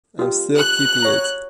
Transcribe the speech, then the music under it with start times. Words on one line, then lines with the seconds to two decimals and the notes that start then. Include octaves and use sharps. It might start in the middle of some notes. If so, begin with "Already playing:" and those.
I am still keeping it.
0.19 F4 G4
0.57 F#6
1.02 C#5 A#5